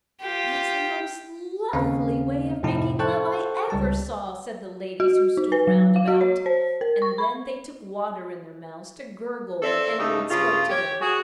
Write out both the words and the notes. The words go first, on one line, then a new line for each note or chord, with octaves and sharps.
"That's the most lovely way of making love I ever saw!" said the ladies who stood round about, and then they took water in their mouths to gurgle when any one spoke to them.
F4 G4
D#2 C#3 C4 C#4 F5
F2 A2 C3 F3 D#4 E4
A4 C5 G5 A5 C#6 F#6
C#2 G3 A5
F#4
D#4
B4
F#3
F5
F#4
C#5
C5
A#4
C#6
B5
C4 A4 D5 E5
G2 C#3 A3 D#4
G2 C#3 F4
G4 C#5
F#4 G#4